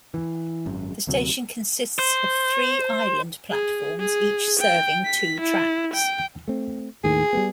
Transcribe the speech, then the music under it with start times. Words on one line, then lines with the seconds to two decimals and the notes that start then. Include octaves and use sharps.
The station consists of three island platforms, each serving two tracks.
0.14 E3
0.66 G#1 F#2
1.07 D2 C3 F#3
1.99 C5
3.51 G#4
3.99 G#4
4.60 G5
5.05 B6
5.41 E4
5.94 G5
6.48 A3 C4
7.04 D#2 A2 D#3 G#4
7.33 G3 A3 B3